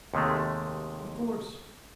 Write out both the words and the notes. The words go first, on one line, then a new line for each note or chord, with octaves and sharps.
"Of course."
D#2 C3 D#3 G#3 A3